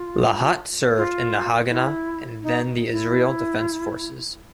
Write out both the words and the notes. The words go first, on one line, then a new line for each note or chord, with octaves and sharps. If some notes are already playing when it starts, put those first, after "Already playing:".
Lahat served in the Haganah and then the Israel Defense Forces.
Already playing: F4
F4
E4
D#4
E4